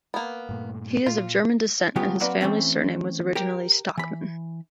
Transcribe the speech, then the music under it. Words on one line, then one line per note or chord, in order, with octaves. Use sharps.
He is of German descent, and his family's surname was originally "Stockmann".
A#3 B3
G2 A#2 A3
A#2 F4
C#3 F#3 B3 F4 G4
F#3 A#3 C4 F#4 B4 D5
E3 A3 C4 C#4
G4 A#4
E3 B5